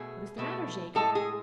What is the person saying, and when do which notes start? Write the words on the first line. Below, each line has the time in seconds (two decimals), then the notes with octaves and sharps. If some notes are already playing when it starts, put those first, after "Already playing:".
'What is the matter, Jegu?
Already playing: B2 A3 G#4
0.38 B2 A3
0.95 A2 G#3 A4
1.15 G#4